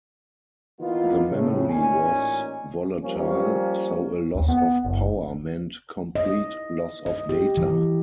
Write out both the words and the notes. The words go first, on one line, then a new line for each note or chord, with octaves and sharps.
The memory was volatile, so a loss of power meant complete loss of data.
E3 A#3 B3 D#4 F4
A2 C#3
A1 A#2 C#4 D#4 G#5
F3 G3 A#3 C#4
D#2
B3
F#1
D#5
D#5
G4
E3